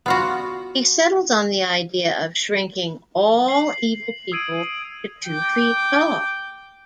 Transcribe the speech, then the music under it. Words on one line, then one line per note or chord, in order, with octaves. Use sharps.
He settles on the idea of shrinking all evil people to two feet tall.
B3 F4 F#4
C7 F#7
D#6 E6 G#6 D7 D#7 F#7
G5 D6